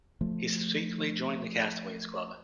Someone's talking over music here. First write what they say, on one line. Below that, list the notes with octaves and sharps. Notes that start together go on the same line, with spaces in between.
He subsequently joined the Castaways' Club.
F3 A3